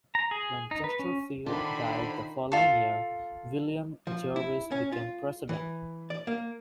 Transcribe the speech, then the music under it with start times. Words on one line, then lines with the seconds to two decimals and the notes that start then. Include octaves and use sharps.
When Chesterfield died the following year, William Jervis became President.
0.15 A#5
0.31 G#4
0.71 D#4
0.84 B4
0.99 C#4
1.46 D3 D#3 D4 D#4 F4 C5 B5
2.52 F4 A4
4.07 F3
4.36 E4
4.72 C#4
4.92 F4
5.49 E3
6.10 D5
6.27 A#3